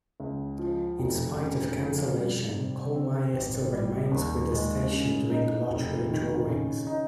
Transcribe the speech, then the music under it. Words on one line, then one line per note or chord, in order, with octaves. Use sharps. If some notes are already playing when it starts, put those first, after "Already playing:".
In spite of cancellation, Kollmeyer still remains with the station doing lottery drawings.
C#2
F3
F1
C#3
F2
G3
C3
C4
G#1
G3
D#2
G#3
C#3
D#4
F1
D#3
C#3
D#4